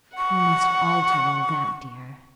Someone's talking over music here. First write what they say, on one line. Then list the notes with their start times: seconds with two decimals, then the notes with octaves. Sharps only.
We must alter all that, dear.
0.17 F#5 C#6